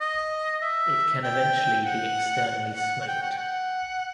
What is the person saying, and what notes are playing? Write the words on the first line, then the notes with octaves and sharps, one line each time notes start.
It can eventually be externally smoked.
D#5
E5
G5
F#5
F#5
F#5
G5
F#5
G5
F#5